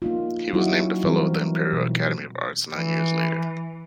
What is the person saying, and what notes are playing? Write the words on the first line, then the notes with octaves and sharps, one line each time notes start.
He was named a fellow of the Imperial Academy of Arts nine years later.
A#3 D#4 F4
F#3 C#4 D#4 E4 F#4
E3 G3 C4 A#4
B2
E3